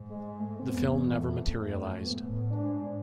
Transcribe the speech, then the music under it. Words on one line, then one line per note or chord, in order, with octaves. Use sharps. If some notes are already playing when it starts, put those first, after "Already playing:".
The film never materialized.
Already playing: G#2
G#3
A3
C4
E2 B3
B3
F2 A3
F2 A3
G#2
B3
A2
G#2 D4